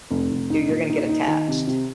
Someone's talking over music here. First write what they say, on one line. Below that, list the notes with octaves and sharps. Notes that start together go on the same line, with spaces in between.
you you're gonna get attached.
F1
F1
D#4
A#2
D#4
D#4
D#3
C3
C3